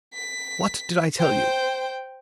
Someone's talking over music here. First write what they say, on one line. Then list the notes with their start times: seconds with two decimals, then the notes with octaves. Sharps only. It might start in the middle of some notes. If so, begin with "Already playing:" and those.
"What did I tell you?"
0.14 B6
1.18 C5 G5